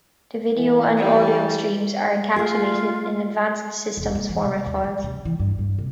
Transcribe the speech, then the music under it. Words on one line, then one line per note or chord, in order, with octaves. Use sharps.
The video and audio streams are encapsulated in Advanced Systems Format files.
E3
G3
A3 F4 G#4
E1
A#3
E3
B2
D#2
F3
C#3
E3
G2
G2
C3